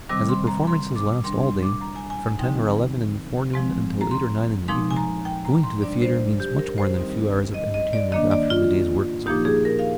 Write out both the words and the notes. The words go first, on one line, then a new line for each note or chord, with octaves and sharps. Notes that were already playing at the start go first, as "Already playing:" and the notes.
As the performances last all day, from ten or eleven in the forenoon until eight or nine in the evening, going to the theatre means much more than a few hours of entertainment after the day's work is over.
C3 D#3 G3 C4 D6
C6
A#5
C6
D6
A#2 G3 D4 C6
C6
D6
A#5
G#5
G#5
D3 F3 C4 D#4 G5
F3 G#3 C4
A#5
C6
A#2 F3 G#3 D#4 C6
G#5
A#5
G5
A#5
C6
C3 G3 D4 D5
C5
G4
A#4
C5
D#3 G3 C4 D#4
D#5
D#5
D5
D#3 A#3 D4 D#5
D5
F4
A#2 F3 A#3 D#4 G4
G#4
A#4
F5